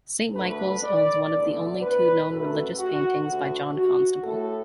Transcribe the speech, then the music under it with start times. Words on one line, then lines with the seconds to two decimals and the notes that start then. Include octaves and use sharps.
Saint Michael's owns one of only two known religious paintings by John Constable.
0.34 D2 D3 A3 B4
0.83 D5
1.32 E2 D3 A3 D5
1.81 B4
2.29 F#2 F#3 A3 A4
2.78 F#4
3.26 D2 D3 A3 F#4
3.75 F#4
4.23 A2 A3 A4